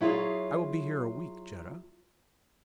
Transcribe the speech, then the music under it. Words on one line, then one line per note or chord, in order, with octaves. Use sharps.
"I will be here a week, Jetta."
F#3 E4 F4 G#4 C#5